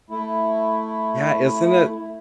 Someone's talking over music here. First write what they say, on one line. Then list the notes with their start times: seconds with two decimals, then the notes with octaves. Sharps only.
Yeah, isn't it?
0.10 A3 E4